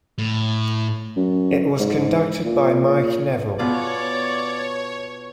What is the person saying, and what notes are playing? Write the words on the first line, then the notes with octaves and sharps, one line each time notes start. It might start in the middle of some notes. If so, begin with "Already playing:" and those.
It was conducted by Mike Neville.
A2
F#2
G#2
A#2
B2 F4 G#4 C#5 D5